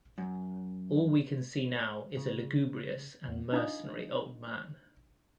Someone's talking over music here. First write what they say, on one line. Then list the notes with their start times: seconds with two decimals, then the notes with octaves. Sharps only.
All we can see now is a lugubrious and mercenary old man.
0.18 F#2
2.17 C#3
3.28 E2
3.52 D4 D#4 F4 D#5 F5 D#6